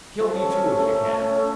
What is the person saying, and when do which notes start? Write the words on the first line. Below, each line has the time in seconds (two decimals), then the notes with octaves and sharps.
Kill me too, if you can.
0.20 F3 A4
0.35 C#4
0.49 C#4
0.63 A3
0.78 A3 A#4
0.92 A3
1.06 A3
1.21 C#4
1.35 C#4 A4